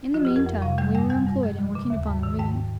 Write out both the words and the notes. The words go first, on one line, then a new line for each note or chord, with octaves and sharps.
In the mean time we were employed in working upon the rigging.
F3 F4
G4
F2
A#4
F2
C3 F5
G3 G5
G2 G5
G3 G#5
G2
G#3
F3
C#3
D#2
G#2
D#3
G#2 G5